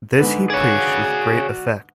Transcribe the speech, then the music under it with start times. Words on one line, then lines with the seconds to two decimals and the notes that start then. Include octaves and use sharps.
This he preached with great effect.
0.18 G#2 D3 B4
0.50 F#4 G#4 C#5 D5